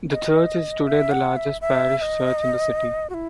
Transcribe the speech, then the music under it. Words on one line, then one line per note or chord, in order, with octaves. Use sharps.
The church is today the largest parish church in the City.
D#5
E5
F#5
E5
E5
E5
D#5
F#4
E4